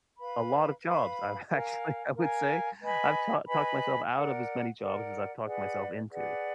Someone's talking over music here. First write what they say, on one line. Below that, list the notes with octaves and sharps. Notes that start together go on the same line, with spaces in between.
a lot of jobs, I've actually, I would say I've talk talked myself out of as many jobs as I've talked myself into.
B4 F5 B5
B4 F5 B5
A#4 F5 G#5
A#4 F5 G#5
B4 D#5 G#5 B5
B4 D#5 G#5 B5
A#4 D5 F#5
A#4 D5 F#5
G#4 B4 D5 F#5
G#4 B4 D5 F#5